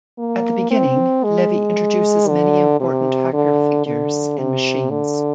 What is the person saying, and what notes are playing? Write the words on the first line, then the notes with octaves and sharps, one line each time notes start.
At the beginning, Levy introduces many important hacker figures and machines.
A#3
C4
G#3
D3
C3
D3
D3
C3
D3